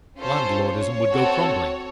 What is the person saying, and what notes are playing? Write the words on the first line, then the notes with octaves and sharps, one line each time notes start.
Landlordism would go crumbling.
C#4 F4 A4 C5
C#5
C4 F#4 A4